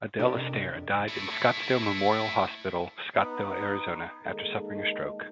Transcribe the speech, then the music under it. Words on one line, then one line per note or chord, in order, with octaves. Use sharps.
Adele Astaire died in Scottsdale Memorial Hospital, Scottsdale, Arizona, after suffering a stroke.
C3 D4 G4 A4 A#4 D5 D#5
F2
A3 E4
B3 D#4
D#3 G#3 A#3 D#4 A4